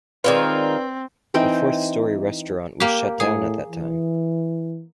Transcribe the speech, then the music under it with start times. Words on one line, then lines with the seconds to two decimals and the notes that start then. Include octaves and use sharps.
The Fourth Story restaurant was shut down at that time.
0.24 D#3 G#3 C4 F4 B4 D5
1.34 E3 C4 D#4 G5
2.80 A#3 G4
3.20 A2 G#4
3.69 E3